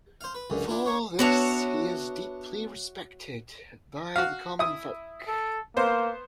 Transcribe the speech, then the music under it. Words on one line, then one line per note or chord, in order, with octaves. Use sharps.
For this he is deeply respected by the common folk.
C5 F5
B4
C#2 F#2 D3
D4 E4 F4
D4 C#5
B3 D4 F#4 C#5 E5
F#4 F5
E4 D#6
A4
A#3 B3 C5